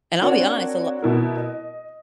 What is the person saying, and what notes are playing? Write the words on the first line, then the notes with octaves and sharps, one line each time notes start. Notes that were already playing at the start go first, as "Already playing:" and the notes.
And I'll be honest, a lot
C4 D4 F#4 A#4 C#5 F#5
B2 E4 A#4
D#5